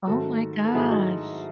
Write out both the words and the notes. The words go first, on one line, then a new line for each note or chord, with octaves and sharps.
Oh my gosh.
G#2 D#3 F#3 A3 F#4 A4
A4
G#2 D#3 F#3 A3 E4 G#4
D#4 F#4